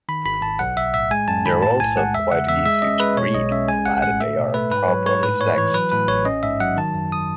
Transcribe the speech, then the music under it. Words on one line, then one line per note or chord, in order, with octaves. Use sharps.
They are also quite easy to breed provided they are properly sexed.
D#3 B5
G#1 B5
G#1 A5
B1 F#5
B1 E5
A2 E5
G#3 G#5
F#2 A5
D#3 B5
A2 A5
B1 G#5
G#3 F#5
E2 E5
C#3 F#5
E2 E5
G#3 E5
C#4 D#5
G#3 B4
B2 C#5
B1 D#5
C#4 E5
G#3 G#5
A1 F#5
A2 F#5
A3 E5
B2
A3 B4
G#2 B4
F#3 C#5
G#2 C#5
A2 B4
A2 C#5
E3 C#5
F#3 B4
A2 B4
A1 C#5
C#4 D#5
G#2 E5
F#3 F#5
D#3 A5
F#2
D#6